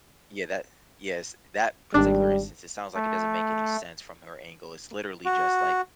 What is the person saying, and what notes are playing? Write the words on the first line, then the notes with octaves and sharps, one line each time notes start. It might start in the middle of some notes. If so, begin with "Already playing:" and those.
Yeah, that Yes, that particular instance, it sounds like it doesn't make any sense from her angle. It's literally just, like,
G#1 G3 D4
A3
F#4